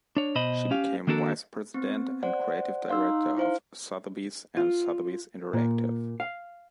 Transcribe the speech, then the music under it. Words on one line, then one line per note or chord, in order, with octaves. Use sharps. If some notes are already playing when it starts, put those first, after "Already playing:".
She became Vice President and Creative Director of Sotheby's and Sotheby's Interactive.
D4 C#5
B2 C5 D#5 B5
C#4 G4 F5
D#3 A#3 D4 F#4 A4 A#4
B3 C4
C5 D5 F#5
D#4 F5 C6 E6
E4 C5 F5
F4
A#2
F5